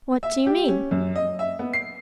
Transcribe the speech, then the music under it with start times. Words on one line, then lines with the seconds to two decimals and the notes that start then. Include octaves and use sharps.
What do you mean?
0.23 E5
0.46 G4
0.68 C#4
0.91 F#2
1.16 D#5
1.39 E5
1.59 B3
1.73 C7